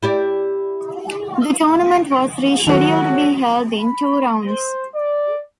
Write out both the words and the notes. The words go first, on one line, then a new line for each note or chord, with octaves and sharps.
The tournament was rescheduled to be held in two rounds.
E4 G4 D5
D#3 F#3 F#4 A4
B5
C5
D5